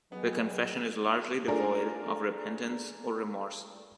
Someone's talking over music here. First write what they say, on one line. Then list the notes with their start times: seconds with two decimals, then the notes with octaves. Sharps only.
The confession is largely devoid of repentance or remorse.
0.12 D#3 F#3 B3 D#4 G#4
1.48 A3 D4 F4 G#4 A#4